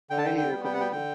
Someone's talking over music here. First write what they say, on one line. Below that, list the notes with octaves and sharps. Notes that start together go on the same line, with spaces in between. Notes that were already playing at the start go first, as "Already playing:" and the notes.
Highly recommended.
D3 G5
A5
G5
G5
G3 B3
G5
F#5
G5
D3 G5